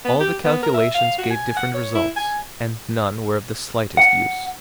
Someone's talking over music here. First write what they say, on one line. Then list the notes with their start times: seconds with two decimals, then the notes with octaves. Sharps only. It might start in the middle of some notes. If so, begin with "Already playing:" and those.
All the calculations gave different results, and none were of the slightest use.
0.05 B3
0.20 G4
0.44 B3
0.63 A#4
0.74 E5
0.95 F5
1.18 F#4
1.31 G#5
1.57 F#5
1.74 C#5
1.95 E4
2.16 G#5
3.97 F#5